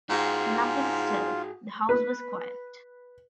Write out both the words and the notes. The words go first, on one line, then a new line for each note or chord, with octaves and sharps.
Nothing stirred — the house was quiet.
G#2 F4 F#4 G#4
B4